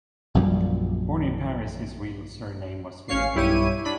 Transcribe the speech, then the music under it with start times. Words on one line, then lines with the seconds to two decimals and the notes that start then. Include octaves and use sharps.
Born in Paris, his real surname was Philippe.
0.35 A#1 F#2 A#2 G3
3.08 A1 C#4 C#5 F5 C#6 C7
3.34 B1 G2 E4 G4 C#5 D#7
3.85 D4 B5